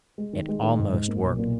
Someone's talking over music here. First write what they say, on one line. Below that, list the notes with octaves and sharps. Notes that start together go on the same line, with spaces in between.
It almost worked.
G#3
D#3
G#3
D#3
G#2
G#2
A#3
B1
A#2